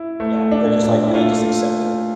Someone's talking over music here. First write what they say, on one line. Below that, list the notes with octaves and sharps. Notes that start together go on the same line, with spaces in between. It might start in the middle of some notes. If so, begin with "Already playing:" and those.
Yeah. They're just like they just accept it.
Already playing: E4
A3
D4
A#2
E4
A3 F4